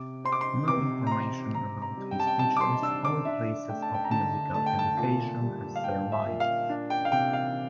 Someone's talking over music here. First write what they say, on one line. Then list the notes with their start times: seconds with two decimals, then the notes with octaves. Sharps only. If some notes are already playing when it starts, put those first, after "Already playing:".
No information about his teachers or places of musical education has survived.
Already playing: C3 D6
0.25 C4 C6
0.32 D6
0.41 C6
0.68 C3 D6
1.07 A#5
1.11 C4 C6
1.54 C3 A#5
1.82 A#5
1.97 G3
2.11 G5
2.20 A5
2.27 G5
2.39 C3 A5
2.57 D6
2.61 C6
2.82 D4 E6
3.05 D6
3.25 D4 E5
3.68 A3 G5
3.82 A5
3.94 G5
4.04 A#5
4.11 D3 A5
4.54 A3 A5
4.66 G5
4.79 A5
4.97 A#2
5.40 G3
5.76 F5
5.84 G3 G5
6.12 E5
6.26 A#2
6.40 F5
6.69 D4
6.90 G5
7.05 F5
7.12 C3 G5
7.33 F5